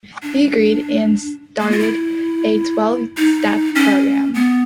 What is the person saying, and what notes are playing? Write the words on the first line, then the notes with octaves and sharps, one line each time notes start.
He agreed and started a twelve-step program.
D4
A#3
F4
E4
D#4
C#4
B3